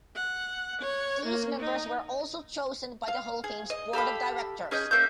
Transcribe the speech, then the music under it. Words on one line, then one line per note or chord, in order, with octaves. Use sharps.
These members were also chosen by the Hall of Fame's Board of Directors.
F#5
C#5
A#3
D#4
F5
G#4
D#5
G4 A4 F5 B5
C#4 G#4 D#5 G6
A#3 C#4 E5 G6